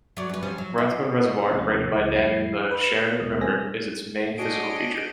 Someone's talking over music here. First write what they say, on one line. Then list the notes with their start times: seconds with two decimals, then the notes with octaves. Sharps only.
Rathbun Reservoir, created by damming the Chariton River, is its main physical feature.
0.17 F#3 D5
0.29 F#2 B4
0.43 F3 G3 C#4
0.58 F#3
0.78 E4
1.49 D#2 G#2 C3 F3 A3 C#4
1.93 C#2 E3 D#5
2.15 F2 G3 E4 C7
2.71 B4
3.20 D#2 B2 E3 G#3 D#6
3.41 G3 C4 G#4 G#5 A#6
4.38 D4 F#4 G#4 C#5 D#5 D7